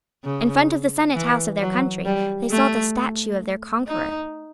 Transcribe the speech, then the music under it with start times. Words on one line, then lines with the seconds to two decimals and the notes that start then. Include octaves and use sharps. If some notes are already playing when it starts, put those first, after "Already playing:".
In front of the Senate House of their country, they saw the statue of their conqueror.
0.24 C#3
1.15 E3
1.60 F#3
2.05 G3
2.51 A3
3.87 D#4